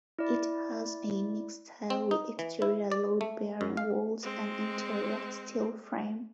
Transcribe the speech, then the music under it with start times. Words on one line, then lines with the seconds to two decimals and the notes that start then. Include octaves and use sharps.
It has a unique style with exterior load-bearing walls and an interior steel frame.
0.19 E4 D5
1.90 C4
2.11 D#4
2.39 E3
2.62 E4
2.92 D5
3.21 A3
3.61 F#2
3.77 F5
4.23 G#3 C4